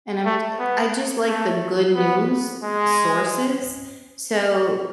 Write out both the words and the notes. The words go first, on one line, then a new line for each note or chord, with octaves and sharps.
and I'm j eh, I just like the good news sources. So,
A3
B3
A3
B3
G#3